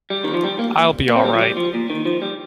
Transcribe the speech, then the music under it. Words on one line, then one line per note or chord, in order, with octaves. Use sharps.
I'll be alright.
G3
D#3
F3
G3
A#3
A#3
C4
G3
F3
G3
F3
A#2
D#3
F3
G3